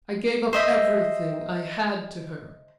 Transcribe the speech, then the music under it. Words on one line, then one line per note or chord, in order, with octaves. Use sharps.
I gave up everything I had to her.
C5 D#5 E5